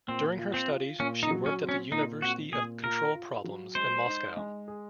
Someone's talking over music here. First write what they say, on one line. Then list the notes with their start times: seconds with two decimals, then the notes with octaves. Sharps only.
During her studies she worked at the Institute of Control Problems in Moscow.
0.08 A#2 C4
0.39 F4
0.54 C4
0.69 F4
0.99 A#2 C#4
1.23 D#4
1.31 F#3
1.46 C#4
1.62 C4
1.69 C#4
1.92 A#2 D#4
2.22 C4 F#4
2.53 A#2 G#4
2.84 F4 A#4
3.14 F4
3.44 F#3
3.75 G#3 C5
4.06 D#4
4.37 G#3
4.68 G#4